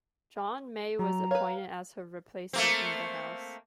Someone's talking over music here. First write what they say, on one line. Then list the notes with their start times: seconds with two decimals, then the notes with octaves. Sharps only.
John May was appointed as her replacement in the House.
0.99 F#3 A#5
1.31 B4 C#5 F5
2.53 A3 A#3 C4